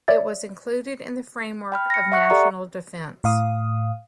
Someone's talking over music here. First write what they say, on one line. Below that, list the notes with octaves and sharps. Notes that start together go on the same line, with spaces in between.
It was included in the framework of National Defense.
C#5 D5 E5 A6
G5 B5 F6
A#6 C#7
E5 F#5 C#6 F#6 C#7
G4 A4 D5 E5 A#5 C#6
A2 F5 D#6